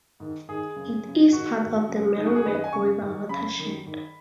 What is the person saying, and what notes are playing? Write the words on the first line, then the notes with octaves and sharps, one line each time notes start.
It is part of the Merrimack River watershed.
G#2 D#3
G#2 D#3 G#4
F#2 C#3
F#2 C#3
G#2 D#3 F#4
G#2 D#3
F#2 C#3
F#2 C#3 D#4
F#4
G#4
F#2 D#3 B4
D#5
G#5
F#2 C#3 C#6
G#2 D#3
F#2 C#3 B5
F#2 D#3
G#2 D#3